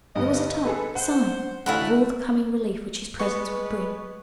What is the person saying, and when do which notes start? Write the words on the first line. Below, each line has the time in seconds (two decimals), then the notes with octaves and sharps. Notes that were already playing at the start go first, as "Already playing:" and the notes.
It was a type, a sign, of all the coming relief which his presence would bring.
0.16 D2 G2 B3 D#5
0.65 G#4 A4 B4
0.95 C5 F#5
1.66 A1 D2 A3 E4 F#4 F5
3.20 G3 G#3 B3 B4 C#6